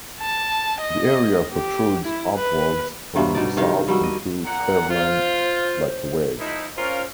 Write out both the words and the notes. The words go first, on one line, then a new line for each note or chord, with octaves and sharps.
The area protrudes outwards from the south into Cleveland like a wedge.
A5
D#5
G4
E4
B4
G2 C3 F#3 G3
B2 D#4 D5
C3 D#3 F5
F#3 G3
D#5
A#2 F#5 A#5
F4 C5
F3 D#4 E4
C#4 F4 A#4 C5